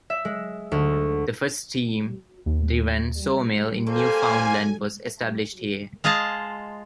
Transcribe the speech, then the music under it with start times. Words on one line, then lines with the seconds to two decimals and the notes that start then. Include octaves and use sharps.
The first steam driven saw mill in Newfoundland was established here.
0.10 E5
0.25 G#3
0.72 D2
2.46 D#2
3.87 G3 A#3 A4 C5 G#5
6.04 G#3 F4 G#4 D#5 A5